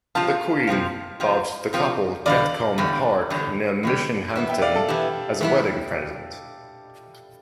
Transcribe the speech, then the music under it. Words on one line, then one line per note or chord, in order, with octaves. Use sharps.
The Queen bought the couple Gatcombe Park near Minchinhampton as a wedding present.
C3 F3 C4 F4 F5 A5
C3 F3 C4 F4
C3 F3 C4 F4
C3 F3 C4 F4
E2 D3 G3 D5 F5
E2 D3 G3
E2 D3 G3
E2 D3 G3
E3 B3 E4
E5 G5
D5 F5
A4
E3 B3 E4 G4
E3 B3 E4